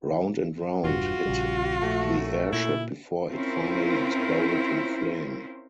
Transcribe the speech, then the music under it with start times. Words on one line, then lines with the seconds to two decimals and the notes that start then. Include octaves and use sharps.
Round and round hit the Airship before it finally exploded in flame.
0.84 E1 G2 F4 F#4
1.25 A#1 C#3 G3
1.82 A#1 A3
2.17 F#2 A3 A4
2.53 A#2 E4
3.31 C4 C#4 E4 F4 A#4 C5